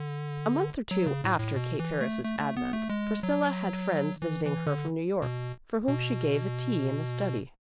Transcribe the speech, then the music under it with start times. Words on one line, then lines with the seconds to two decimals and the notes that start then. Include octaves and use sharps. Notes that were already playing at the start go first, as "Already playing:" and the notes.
A month or two after Kate Ferris's advent, Priscilla had friends visiting her from New York, for whom she gave a tea in the study.
Already playing: D3
0.91 F#3
1.06 C#3
1.24 A2
1.40 A2
1.56 B2
1.80 E3
2.01 A3
2.24 A3
2.39 A3
2.57 B3
2.73 A3
2.90 G#3
3.23 F#3
4.22 E3
4.45 E3
4.67 D3
5.22 B2
5.88 B2